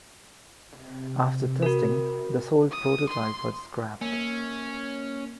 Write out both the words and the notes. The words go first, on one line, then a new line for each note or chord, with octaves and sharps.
After testing, the sole prototype was scrapped.
C3
F#4 A#4
D#6
C6
A#3 C#4